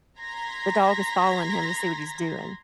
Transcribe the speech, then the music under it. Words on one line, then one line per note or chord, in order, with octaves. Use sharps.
the dog is following him to see what he's doing.
A#5 C6 G#6 A#6 B6